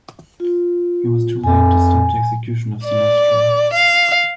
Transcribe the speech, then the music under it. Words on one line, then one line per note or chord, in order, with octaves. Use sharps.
He was too late to stop the execution of Sinestro.
F4
F2 G#5
D5
F5